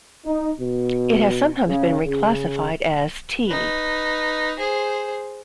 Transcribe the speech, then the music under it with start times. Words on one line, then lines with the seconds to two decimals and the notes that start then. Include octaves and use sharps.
It has sometimes been reclassified as T.
0.25 D#4
0.59 B2
1.67 C#3
2.03 C#3
3.48 D#4 B4
4.58 G#4 C5